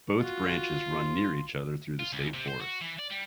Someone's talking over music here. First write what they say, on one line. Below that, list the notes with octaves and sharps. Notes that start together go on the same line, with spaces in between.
Both branches run near each other through the state forest.
F4 F#4
C6
F4
C#2
C3
C5
F#4
E3
D5
G3